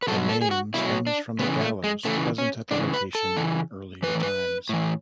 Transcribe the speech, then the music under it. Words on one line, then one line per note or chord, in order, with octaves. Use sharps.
The name stems from the gallows present at the location in earlier times.
B4
B2 F#3 A4
A4
G#4
F#4
B2 F#3 E4
D4
C#3 B3
E3
A3
G#3
C#3 E3 A3
C#4
C#3 E3 D4
B4
A4
C#3 E3
A2 E3 B4
B4
A2 E3